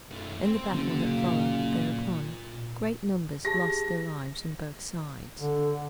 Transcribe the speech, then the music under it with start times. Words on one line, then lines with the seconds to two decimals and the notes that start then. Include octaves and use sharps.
In the battle that followed thereupon, great numbers lost their lives on both sides....
0.11 F#2 A3
0.42 C4 C5
0.73 F#1 D3
1.05 A#2 F5
3.45 G4 G#4 A5 A#6
5.39 D3